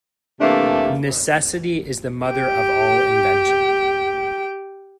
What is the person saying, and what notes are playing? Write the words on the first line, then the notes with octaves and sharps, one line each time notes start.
Necessity is the mother of all invention.
C3 E3 A3 A#3 D4
G4 G5